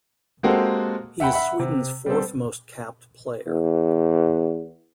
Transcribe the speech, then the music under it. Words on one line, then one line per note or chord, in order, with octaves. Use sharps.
He is Sweden's fourth most capped player.
G#3 A#3 C4 F#4 G4 A4
E5 F#5 G5 B5
E5 F#5 B5
C3
G3 B3 C4 A4
E2